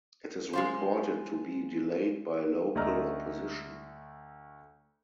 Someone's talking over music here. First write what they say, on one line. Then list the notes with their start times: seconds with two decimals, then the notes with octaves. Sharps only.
It is reported to be delayed by local opposition.
0.53 G#3 F4 C5
2.75 D2 A3 D5 D#5 A#5 F6